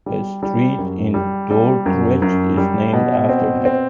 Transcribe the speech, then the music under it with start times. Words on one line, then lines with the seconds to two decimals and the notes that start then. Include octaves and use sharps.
A street in Dordrecht is named after him.
0.06 G3
0.43 G3
0.78 F#2
1.14 G3
1.51 G3
1.86 F#2
2.22 F#2
2.57 G3
2.93 B2
3.29 C4
3.65 C4